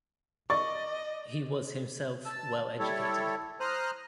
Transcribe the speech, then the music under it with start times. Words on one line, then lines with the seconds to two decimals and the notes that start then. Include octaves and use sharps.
He was himself well-educated.
0.50 D5 D#5 C#6 A6
2.25 A5 E6
2.79 G3 E4 A4 C#5
3.60 C5 A#5 D#6 F6 F#6